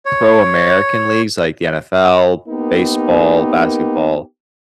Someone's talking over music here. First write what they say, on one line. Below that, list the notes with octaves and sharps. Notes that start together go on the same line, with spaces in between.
pro American leagues like the NFL, baseball, basketball,
C#5
A#3 B3 D#4 G4 A#4